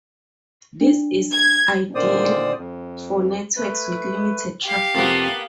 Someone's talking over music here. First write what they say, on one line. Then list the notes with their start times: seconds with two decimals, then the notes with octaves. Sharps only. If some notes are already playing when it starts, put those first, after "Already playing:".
This is ideal for networks with limited traffic.
0.81 D4
1.33 G#6
1.95 A#2 D3 D#3 C5 D5 D#6
2.57 F2
3.56 A3 B4
4.64 G4 F5
4.95 F2 C3 A#3 B3 A5